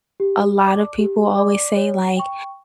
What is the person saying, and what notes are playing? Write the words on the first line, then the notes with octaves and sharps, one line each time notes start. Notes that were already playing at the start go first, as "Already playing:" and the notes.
a lotta people always say, like
G4
D5 A5 D6
G4
D5 A5 D6
C#5
G5 C#6